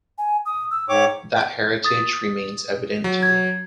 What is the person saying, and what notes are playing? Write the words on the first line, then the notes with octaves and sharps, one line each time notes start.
That heritage remains evident today.
G#5
D#6
E6
G#2 C#5 G5 D6
D#6 A6
F#3
G#6